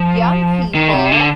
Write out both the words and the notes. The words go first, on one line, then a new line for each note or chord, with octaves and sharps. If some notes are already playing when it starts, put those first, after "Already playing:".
young people
Already playing: F3
D#3
C3
D3